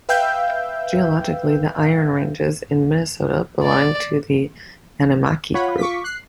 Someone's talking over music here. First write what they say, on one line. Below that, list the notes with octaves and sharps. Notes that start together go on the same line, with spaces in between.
Geologically, the iron ranges in Minnesota belong to the Animikie Group.
B4 E5 F5 G5 E6 G6
D5
F4 C#5 F#5 B5
C#6 D6 B6
F#6 C7